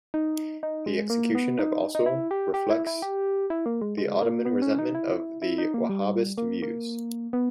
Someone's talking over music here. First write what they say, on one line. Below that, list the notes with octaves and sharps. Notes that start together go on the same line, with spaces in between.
The execution of also reflects the Ottoman resentment of the Wahhabist views.
D#4
D#4
G#3
A#3
B3
D#4
D#4
E4
G4
G4
E4
E4
G4
E4
A#3
G#3
G#3
A#3
B3
C#4
D#4
E4
E4
D#4
A#3
G3
A#3
A#3
B3